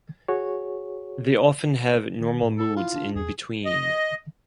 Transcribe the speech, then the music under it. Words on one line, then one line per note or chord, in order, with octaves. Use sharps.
They often have normal moods in between.
F#4 G#4 C#5
D#3
A2
A4
E4 F4
D4
E2 G#4
D#5